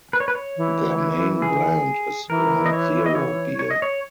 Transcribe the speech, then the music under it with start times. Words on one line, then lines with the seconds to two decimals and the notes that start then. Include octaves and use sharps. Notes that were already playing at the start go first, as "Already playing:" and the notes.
Their main brand is Ground Zero Beer.
0.13 B4
0.20 C#5
0.28 B4
0.35 C#5
0.57 E3
1.42 G#4
2.28 E3 A#4
2.66 D#5
2.73 C#5
3.06 D#5
3.15 C#5
3.59 C#5
3.71 D#5
3.82 C#5